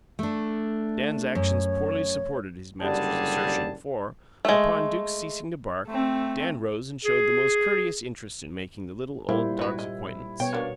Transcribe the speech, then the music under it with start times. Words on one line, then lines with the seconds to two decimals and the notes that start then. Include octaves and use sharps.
Dan's actions poorly supported his master's assertion, for, upon Duke's ceasing to bark, Dan rose and showed the most courteous interest in making the little, old dog's acquaintance.
0.19 A3 D4
1.35 F#2 C#5
2.81 F#1 D3 G3 G4 G#4 A5
4.45 G#3 A3
5.87 A3 C4
7.05 G#4
9.29 A#2 G3 A#3 E4 C5
9.59 F#4 B4
9.79 D#5
10.40 B2 B3 C#5 G5
10.53 A#3 D4 F#4